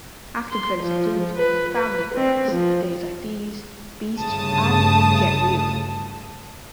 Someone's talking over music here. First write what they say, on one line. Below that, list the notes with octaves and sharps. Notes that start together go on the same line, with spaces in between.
Acting credits include "Family Affairs", "Days Like These", "Beast", and "Get Real".
C6
F3
B4
B4
C4
F3
G1 G2 C#3 A3 A5 D#6